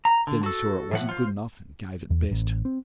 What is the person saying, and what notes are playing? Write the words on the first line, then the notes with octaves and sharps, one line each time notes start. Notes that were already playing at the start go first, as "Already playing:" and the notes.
Then he saw it wasn't good enough, and gave it best.
A#5
D3
F#4 A4
A2 F3 F#5
F4 C5
E2
A1
C4